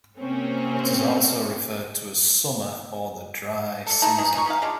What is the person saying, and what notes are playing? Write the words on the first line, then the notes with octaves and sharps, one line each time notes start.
It is also referred to as Summer or the Dry Season.
C3 A#3 C4 C#4
D4 A4
A3 D#4 E4 A5
B2 F#3 D#4 G#4
D#4 F4 F#4 C#6
C#4 D#4 F#4 F5
G#3 D4 F4